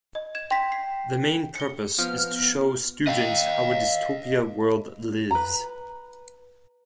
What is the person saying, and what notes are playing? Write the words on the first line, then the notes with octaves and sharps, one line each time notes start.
The main purpose is to show students how a dystopia world lives.
D#5
G#6 E7
G5 C6 A#6 B6
C7
C#7 G7
F3 B3 F6
D#5 F5
B4 A#5